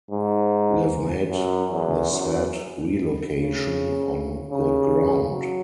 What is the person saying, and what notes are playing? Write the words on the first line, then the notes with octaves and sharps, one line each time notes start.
We have made the said relocation on good ground.
G#2
F#2
E2
F#2
C#3
C#3
F#3